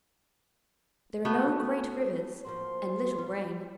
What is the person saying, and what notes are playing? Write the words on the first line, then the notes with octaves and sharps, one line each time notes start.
There are no great rivers and little rain.
A3 B3 F#4
F3 A#3 F#4 C6
F4
E2